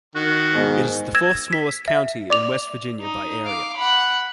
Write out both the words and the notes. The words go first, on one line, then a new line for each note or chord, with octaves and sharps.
It is the fourth-smallest county in West Virginia by area.
D#3 F#4
G#2 B2
E6 G#6 A#6 E7
B6
E5
D5 D6 F7
D#4
F5 D6
F#5 B5